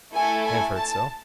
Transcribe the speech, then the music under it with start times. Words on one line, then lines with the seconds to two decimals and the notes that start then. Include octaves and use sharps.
"I have heard so."
0.14 A3 E4 A4 G#5
0.46 G#5
0.77 A5